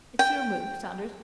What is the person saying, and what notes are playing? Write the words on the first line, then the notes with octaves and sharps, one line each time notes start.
It's your move, Saunders.
G5